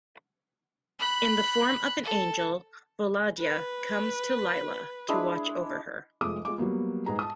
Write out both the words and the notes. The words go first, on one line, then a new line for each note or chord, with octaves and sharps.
In the form of an angel, Volodya comes to Lilya to watch over her.
B5 F#6
A4
B4
G#3 D4 E4
F1 F3 G#3 D6 D#6
G#3 F4 D6
F#3 G3 A#3 B3
G#2 G#4 B4 A#5
A5 D#6